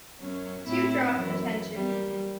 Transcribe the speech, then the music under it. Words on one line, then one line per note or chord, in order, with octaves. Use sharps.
To draw attention.
F#2 F#3 C#4
A2 C4 E4
F#2 E3
G3 A#3 G4